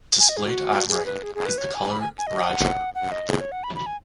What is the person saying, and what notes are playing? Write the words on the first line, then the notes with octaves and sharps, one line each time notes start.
Displayed at right is the color "rajah".
G#5
D#5
G#4
F#4
G#4
B4
G#4
G#4
B4
C#5
G#5
B5
G#5
G#5
D#5
F#5
F#5
D#5
G#4
C#5
F#5
B5
B5
G#5